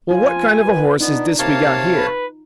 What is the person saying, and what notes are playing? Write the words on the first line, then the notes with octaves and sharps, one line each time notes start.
Well, what kind of a horse is this we got here?
F3 F4 G#5
B4
B3 D4 D#4
C3 A#3 C#5 F5 A5
B4